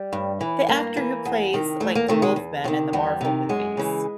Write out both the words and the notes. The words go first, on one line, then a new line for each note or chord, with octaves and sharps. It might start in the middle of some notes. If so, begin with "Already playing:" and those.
the actor who plays like the wolfman in the Marvel movies.
Already playing: G3
G2
E3
G2 A#3
E3
E2
C3 D#3
E2 A3
A#3
C3 D#3 A3
G#3
E2
C3 D#3 F#3
E2 G3
C3 D#3
F#2 G#3
C#3 E3